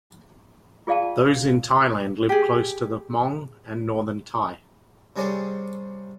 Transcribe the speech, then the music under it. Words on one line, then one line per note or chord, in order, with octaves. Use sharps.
Those in Thailand live close to the Hmong and northern Thai.
F4 G#4 D5 F5 G5 A5
G4 G#4
C3 G3 C#4 G#4 A4 C5